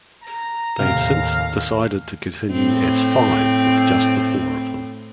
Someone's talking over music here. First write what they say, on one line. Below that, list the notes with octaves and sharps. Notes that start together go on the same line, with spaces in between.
They have since decided to continue as Five with just the four of them.
A#5
D#2 A2 C3 F5
A2 C4